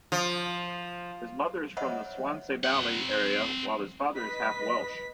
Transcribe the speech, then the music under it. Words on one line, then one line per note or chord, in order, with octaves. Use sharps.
His mother is from the Swansea Valley area while his father is half Welsh.
F3
C5 C#5 D#5 E5 F#5
C4 F#5
B4 D#5 B6